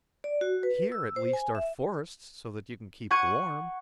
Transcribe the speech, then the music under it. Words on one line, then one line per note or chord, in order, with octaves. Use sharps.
Here at least are forests so that you can keep warm.
D5
F#4
B4
E6
C5
G#5
E5
F#5 C#6 G#6 D#7